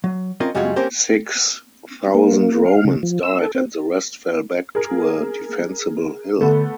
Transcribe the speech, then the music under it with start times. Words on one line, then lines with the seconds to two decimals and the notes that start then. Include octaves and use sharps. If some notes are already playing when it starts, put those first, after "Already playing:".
Six thousand Romans died and the rest fell back to a defensible hill.
0.04 F#3
0.40 C4 C#4 F4 A#4 D#5
0.55 F#2 C#3 G3 G#3 F4 F#4
0.76 A#3 C4 C#4 G4 A#4 C5
2.15 A#3
2.34 A#3
2.66 F5
2.85 C#3
3.03 F3
3.23 E6
3.41 A4
3.55 C4
4.75 G#4 A#4
6.41 D3 A3 B3